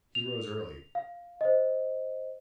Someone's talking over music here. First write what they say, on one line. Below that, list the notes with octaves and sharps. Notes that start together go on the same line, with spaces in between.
He rose early.
F7
F5
C5 D#5